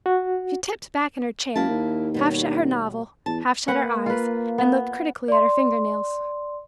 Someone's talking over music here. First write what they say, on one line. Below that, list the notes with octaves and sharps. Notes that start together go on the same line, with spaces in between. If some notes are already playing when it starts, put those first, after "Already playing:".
She tipped back in her chair, half shut her novel, half shut her eyes, and looked critically at her finger-nails.
F#4
F#2 A#3 E4 A5
D#2
B2 G3 C#5
E2 A5
A#3 B4 F#5
F4 B4
B3
D5 C6